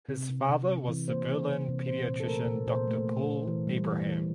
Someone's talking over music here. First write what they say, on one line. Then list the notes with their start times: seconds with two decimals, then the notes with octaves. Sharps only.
His father was the Berlin pediatrician Doctor Paul Abraham.
0.09 C3
0.29 C3
0.49 C3
0.69 C3
0.88 E3
1.08 A#3 C5
1.28 E3
1.49 A#3
1.69 C3
1.88 A#2 C5
2.08 A#2
2.20 A4
2.28 A3 A#4
2.48 A#2
2.67 A#2 C5
2.87 A3
3.08 A3
3.26 A#2
3.48 E3
3.67 G3
3.86 E3
4.07 E3